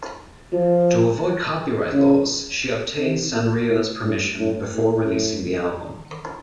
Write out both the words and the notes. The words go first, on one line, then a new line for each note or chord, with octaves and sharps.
To avoid copyright laws, she obtained Sanrio's permission before releasing the album.
F3
C#3
C3
A#2
A2
A2
A2
A2